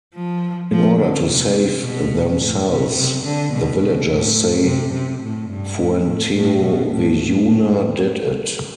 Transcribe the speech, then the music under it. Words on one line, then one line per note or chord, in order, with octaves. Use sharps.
In order to save themselves, the villagers say "Fuenteovejuna did it".
F3
F3
D3
C3
B2
A2
B2
C3
D3
B2
B2
A2
C3
C3
A2
G2
A2
A2
A2
B2
A2
A2